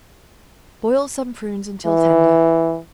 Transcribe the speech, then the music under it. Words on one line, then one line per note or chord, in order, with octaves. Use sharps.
Boil some prunes until tender.
E3